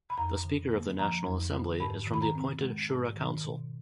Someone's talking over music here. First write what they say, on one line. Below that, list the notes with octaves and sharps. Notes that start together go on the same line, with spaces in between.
The speaker of the National Assembly is from the appointed Shura Council.
B5
F2 A#5
D3
A#3
F3 A#5
F2
D3
G#2 B5
D#3
B5
A#5
C4
G#3
G#2
D#3
B2